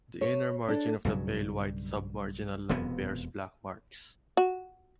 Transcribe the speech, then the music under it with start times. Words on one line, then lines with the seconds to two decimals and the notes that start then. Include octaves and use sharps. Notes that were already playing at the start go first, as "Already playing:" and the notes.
The inner margin of the pale white sub-marginal line bears black marks.
0.21 C#5
0.68 D4 A4
1.05 B1 G2 C#3 F#3
2.69 E1 F2 C3 B3
4.37 F#4